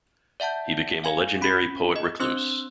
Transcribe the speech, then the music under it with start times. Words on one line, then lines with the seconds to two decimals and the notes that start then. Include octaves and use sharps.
He became a legendary poet-recluse.
0.40 D5 E5 F#5 A5 G6
1.04 F5 G#5 G#6
1.41 C#4 B5 B6
1.96 D#5
2.20 C4 D4 C5 C6 E6 F#6